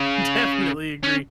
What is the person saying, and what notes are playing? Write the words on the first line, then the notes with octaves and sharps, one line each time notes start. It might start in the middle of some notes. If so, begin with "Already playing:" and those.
definitely agree.
Already playing: C#3
C#4